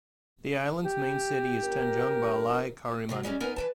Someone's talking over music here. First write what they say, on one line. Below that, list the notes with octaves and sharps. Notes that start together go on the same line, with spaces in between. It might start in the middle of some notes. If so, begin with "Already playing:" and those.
The island's main city is Tanjung Balai Karimun.
G4
G1 A#4
C3 D#3 F#3
G3 G#3 A#3 C#4
B3 D#4 A#4 B4 G#5
E3 B4 A5